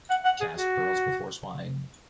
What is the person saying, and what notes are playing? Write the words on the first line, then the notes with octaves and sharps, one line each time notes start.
Cast pearls before swine.
F#5
F#5
G#4
F#4